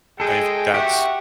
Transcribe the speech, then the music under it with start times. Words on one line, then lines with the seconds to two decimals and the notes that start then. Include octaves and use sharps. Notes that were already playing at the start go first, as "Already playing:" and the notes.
If that's
0.20 G#3 G#4 A4 G5
0.74 G4 E5 F#5 C#6